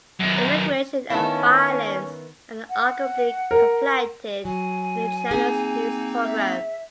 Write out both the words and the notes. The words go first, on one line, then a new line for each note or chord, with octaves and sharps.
Immigration and violence are arguably conflated in the channel's news programmes.
F#2 D#3
D#3 B3 C#4 E4 F5 A5
F#5
A#4
F#3 G#5
A#3 C4 D#4 G#4
E5